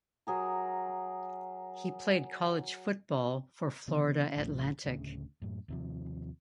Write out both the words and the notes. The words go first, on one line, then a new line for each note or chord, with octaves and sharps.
He played college football for Florida Atlantic.
F#3 G#4 A#4
C#3 E3 B3
D#1 A#1 A2 F3
D1 D2 C#3
F#2 A2
D#2 C3 F3